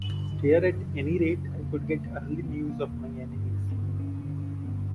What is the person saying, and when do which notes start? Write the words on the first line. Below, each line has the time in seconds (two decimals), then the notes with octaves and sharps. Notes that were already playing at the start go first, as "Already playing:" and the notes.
Here, at any rate, I could get early news of my enemies.
Already playing: G2
0.10 D3
0.32 G2 D3 D#3
0.75 F#2 C#3
1.18 F#2 C#3
1.61 E2 C#3 A#3
1.83 A3
2.05 E2 C#3 A#3
2.43 C4
2.48 E2 C3 B3
2.69 A#3
2.91 E2 C3
3.35 G2 D3
3.71 C4
3.78 G2 D3 B3
3.99 C#4
4.21 G2 D3 C#4
4.43 C#4
4.65 G2 D3 B3